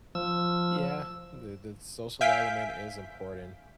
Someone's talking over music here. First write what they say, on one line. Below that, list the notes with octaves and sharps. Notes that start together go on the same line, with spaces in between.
yeah, the the social element is important.
F3 E6
E5 F5 G#5 G6 B6 D7